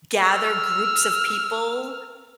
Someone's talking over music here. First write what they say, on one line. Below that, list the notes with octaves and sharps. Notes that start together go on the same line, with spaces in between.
gather groups of people,
E6 F6